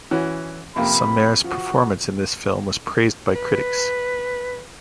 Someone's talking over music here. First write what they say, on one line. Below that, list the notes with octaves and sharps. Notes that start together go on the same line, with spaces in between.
Samaire's performance in this film was praised by critics.
E3 C#4 F#4
F2 C3 A#3 B5
F3 F#4
B4